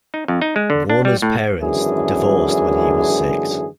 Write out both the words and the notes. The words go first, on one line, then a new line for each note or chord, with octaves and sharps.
Warner's parents divorced when he was six.
D#4
F2
D#4
G#3
D3
D4
G3
A2
G#1 F#2 D3 E3 G#4